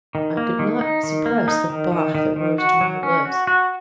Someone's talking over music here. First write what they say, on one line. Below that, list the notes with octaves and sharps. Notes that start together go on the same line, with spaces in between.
I could not suppress the "bah!" that rose to my lips.
D#3
A#3
D#3
D#4
D#3
A#3
D#4
D#3
D#3
D#3
D#3
F#4
F#3
C#4
F#4
F#4